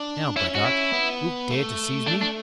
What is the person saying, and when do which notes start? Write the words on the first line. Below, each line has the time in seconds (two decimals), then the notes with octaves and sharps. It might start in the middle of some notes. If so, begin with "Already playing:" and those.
"Now, braggart, wilt dare to seize me?"
Already playing: D4
0.36 C#4 E4
0.55 F#4
0.65 E4
0.93 B3
1.50 A3
2.07 D4
2.22 D4